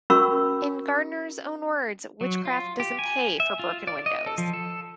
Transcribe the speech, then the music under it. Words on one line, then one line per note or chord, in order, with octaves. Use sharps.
In Gardner's own words, Witchcraft doesn't pay for broken windows!
C#4 F#4 A#4 B5 C#6 E6
F#3
F4
G4
G#5
E5
F4
D5
D#5
A4
F3
A4